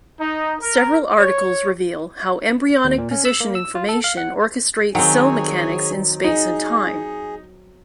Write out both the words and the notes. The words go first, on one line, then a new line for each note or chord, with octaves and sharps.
Several articles reveal how embryonic position information orchestrates cell mechanics in space and time.
D#4
A#4
C#5
D#2
A#2
C#4
E6
A#3
E6
F4
A4
F5
F#5
D#3 F#3 C4 G#4 C#5 G#5
D#4 G#4